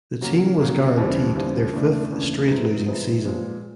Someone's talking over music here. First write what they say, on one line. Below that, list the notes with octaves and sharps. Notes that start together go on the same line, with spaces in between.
The team was guaranteed their fifth straight losing season.
C#3 F#3 A#3
C#3 F#3 A#3
D#2 C#3 E3 G3 C4
D#2 C#3 E3 G3 C4
D#2 C#3 E3 A3 D4
D#2 C#3 E3 A3 D4
C3 F3 G#3 B3 D#4
C3 F3 G#3 B3 D#4
A#2 F3 G#3 B3